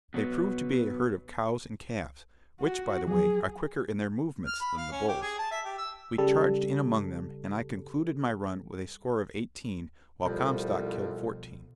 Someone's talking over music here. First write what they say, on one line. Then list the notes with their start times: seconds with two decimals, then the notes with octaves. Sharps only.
They proved to be a herd of cows and calves--which, by the way, are quicker in their movements than the bulls. We charged in among them, and I concluded my run with a score of eighteen, while Comstock killed fourteen.
0.14 B2 F#3 B3
2.61 F#4
3.07 F3 F#3 G#4
4.47 F6
4.60 B5
4.77 F5
4.92 C#4
5.08 G4
5.21 G#4
5.39 A5
5.51 E5
5.65 G4
5.78 E6
6.18 C#3 G3 A4
10.25 C2 F2 B2 F3 G3